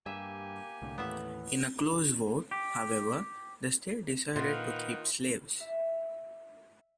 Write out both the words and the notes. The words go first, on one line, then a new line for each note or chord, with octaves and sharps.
In a close vote, however, the state decided to keep slaves.
G2 A#3 G4 E5 G#5
C2 A2 D3
D#2 A2 E3 A3 B3 E5 F#5
G4
A#2 D#3 F4 B4 F#5
E5